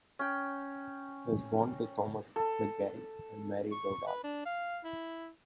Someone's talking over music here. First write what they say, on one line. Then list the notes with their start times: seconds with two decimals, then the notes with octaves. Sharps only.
He was born to Thomas McGarry and Mary Dowdall.
0.19 C#4 G5
2.36 A4
3.72 C#6
4.07 B4
4.24 D4
4.46 F5
4.84 E4